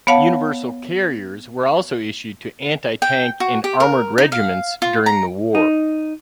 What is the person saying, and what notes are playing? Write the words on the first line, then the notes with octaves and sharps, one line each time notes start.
Universal Carriers were also issued to anti-tank and armoured regiments during the war.
B3 C#5 F5 F#5 A5
G5
F#4
G4
A#4
D#4
F5
F4
A#5
D#4